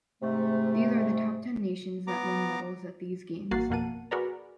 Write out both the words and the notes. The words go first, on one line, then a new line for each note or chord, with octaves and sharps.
These are the top ten nations that won medals at these Games.
G#2 C3 A3
B3 A#5 D6
A1 A#3 F#4 F#5 A6 C7
F2 B2 A#3 F#5 A5 D#7
F#4 G#4 A#4 B4 D5 A#5